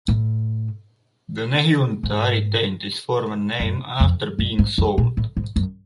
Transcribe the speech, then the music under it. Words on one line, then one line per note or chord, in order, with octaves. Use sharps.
The "Nahunta" retained its former name after being sold.
A2
G#2
F#2
F2
F#2
G#2
F2
A#2
A2
G#2
F#2